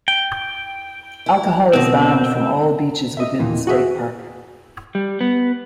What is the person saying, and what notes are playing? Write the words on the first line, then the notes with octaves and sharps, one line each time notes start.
Alcohol is banned from all beaches within the State Park.
G5
E4
B2 D#3 C4
D#5 E5
D#2 A#2 E3 A#3
F#4 G#4 E5
G3
B3